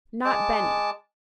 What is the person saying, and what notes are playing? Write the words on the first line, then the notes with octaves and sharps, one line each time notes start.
Not Benny!
G#3 A5 D6